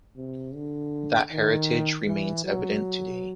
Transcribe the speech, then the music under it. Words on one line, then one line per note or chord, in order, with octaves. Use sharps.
That heritage remains evident today.
C3
D3
D#3
E3
F#3